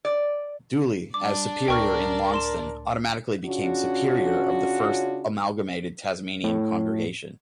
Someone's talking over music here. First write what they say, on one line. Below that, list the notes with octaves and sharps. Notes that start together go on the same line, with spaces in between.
Dooley as Superior in Launceston automatically became Superior of the first amalgamated Tasmanian Congregation.
D5
G3 D4 D5 D6
C#2 A2 A#4 G5 C#6 F6
C6 E7
C#3 C#4 D4 F4 F#4
A2